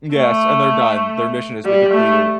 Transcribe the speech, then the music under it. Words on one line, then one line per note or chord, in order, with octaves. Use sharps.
yes, and they're done, their mission has been completed.
A3
G3
A3